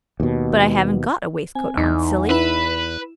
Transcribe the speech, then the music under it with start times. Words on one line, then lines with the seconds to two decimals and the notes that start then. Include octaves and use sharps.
"But I haven't got a waistcoat on, silly."
0.20 D#2 B2
1.55 C4 G#5
1.77 E2 D#4
2.30 E4 B4 E7